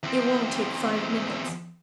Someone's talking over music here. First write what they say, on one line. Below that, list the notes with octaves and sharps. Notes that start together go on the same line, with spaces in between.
It won't take five minutes.
E2 C4